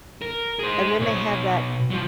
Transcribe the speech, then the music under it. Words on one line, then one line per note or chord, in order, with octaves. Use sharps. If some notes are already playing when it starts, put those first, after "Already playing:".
and then they have that
A#4
G#4 C5
B2 C#5
F3 F#3